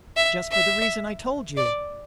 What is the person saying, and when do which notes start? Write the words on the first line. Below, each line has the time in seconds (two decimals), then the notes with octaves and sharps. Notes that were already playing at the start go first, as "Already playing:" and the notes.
"Just for the reason I told you."
0.17 E5
0.52 E5
1.57 D5